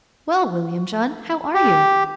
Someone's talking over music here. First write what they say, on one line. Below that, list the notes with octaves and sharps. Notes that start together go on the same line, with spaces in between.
"Well, William John, how are you?"
G4